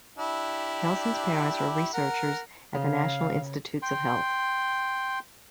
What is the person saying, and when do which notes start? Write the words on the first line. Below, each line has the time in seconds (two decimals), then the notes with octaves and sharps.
Nelson's parents were researchers at the National Institutes of Health.
0.18 D4 E4 G4
1.93 A#4 F#5
2.75 C#3 F5
3.82 G5 C6